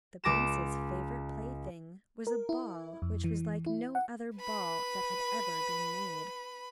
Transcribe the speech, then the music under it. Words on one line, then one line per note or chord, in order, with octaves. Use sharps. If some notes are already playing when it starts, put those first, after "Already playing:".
The prince's favorite plaything was a ball which was like no other ball that had ever been made.
C#2 D6 A#6 E7
A#4
E4
F2
E3
E4
F#5
B4 B5